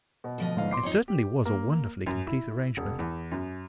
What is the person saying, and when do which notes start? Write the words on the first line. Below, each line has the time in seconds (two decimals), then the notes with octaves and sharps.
It certainly was a wonderfully complete arrangement.
0.24 B2
0.38 D2 F3 D#5
0.56 G1 G#2 F5
0.71 C6 D6 C7
0.83 F2 D#4 C#5
1.08 G4
1.45 A#3
2.06 F#2
2.27 E4
2.77 E1
2.99 E2
3.32 F#2